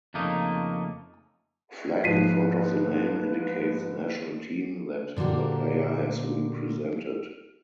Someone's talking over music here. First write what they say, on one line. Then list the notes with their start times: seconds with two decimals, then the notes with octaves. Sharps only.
Flag in front of the name indicates national team that the player has represented.
0.14 F2 C#3 A3 A#3 D#4
2.04 G#2 F3 B4 B6 C7 D#7
5.16 A#2 D3 A#3 F#4 G4